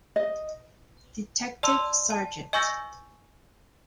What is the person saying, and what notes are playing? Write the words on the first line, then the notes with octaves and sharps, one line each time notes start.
Detective Sgt.
D#5
D5 A5 C6 E6
A5
D#5 G#5 C#6 E6 G6 A#6